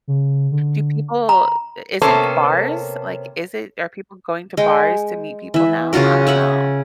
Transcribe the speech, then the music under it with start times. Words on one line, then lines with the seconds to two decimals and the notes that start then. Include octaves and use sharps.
do people is it bars? Like, is it are people going to bars to meet people now? I don't know.
0.08 C#3
0.52 D3
1.29 A#5 B5
2.02 C3 A#3 B3 C#4 A4 C5
4.57 G#3 G5
5.54 E3 E5
5.93 C#3 F4 F#4 A#4
6.27 C#5 E5 F#5 G#5